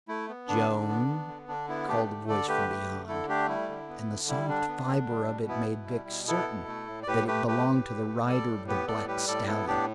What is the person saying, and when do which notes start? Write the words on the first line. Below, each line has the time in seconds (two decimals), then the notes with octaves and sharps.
"Joan!" called a voice from beyond, and the soft fiber of it made Vic certain that it belonged to the rider of the black stallion.
0.08 A3 E4
0.28 B3
0.48 D3 D4
0.69 D3
0.89 B3
1.08 B3
1.28 D3
1.48 D3 D4
1.68 B3 E4
1.88 A3 D4 G4
2.08 D3
2.28 D3 A4 D5
2.48 A3 G4 B4
2.68 A3
2.89 D3
3.08 D3 E4 A4
3.28 A3 D4 G4
3.48 G3 E4
3.69 D3
3.88 B3
4.08 D3
4.28 G3 E4
4.48 D3 D4
4.68 B3
4.88 D3
5.08 G3
5.28 B2
5.48 B3 E4
5.68 B2
5.87 G3
6.08 B2
6.27 B3 E4 A4
6.48 B2
6.68 A3
6.87 A2
7.03 D5
7.07 A2 G4 B4
7.27 A3 G4 B4
7.47 A3 G4 B4
7.67 A2
7.88 A2
8.08 A3
8.27 G3 A4 D5
8.48 A2
8.68 B3 G4 B4
8.87 A2 A4 D5
9.07 G3 G4 B4
9.27 A2 A4 D5
9.47 B3 E4 A4
9.67 A2 D4 G4